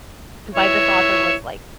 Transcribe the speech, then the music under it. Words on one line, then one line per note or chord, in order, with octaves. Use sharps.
by this author was, like,
E3 C#5 E5